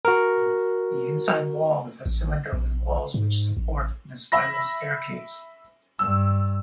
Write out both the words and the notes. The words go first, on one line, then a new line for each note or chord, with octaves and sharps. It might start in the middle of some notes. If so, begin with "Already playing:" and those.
The inside wall is a cylinder with walls which support the spiral staircase.
F#4 A#4
A1
A#1
G#2
A1
E5 B5 A#6
G2 E6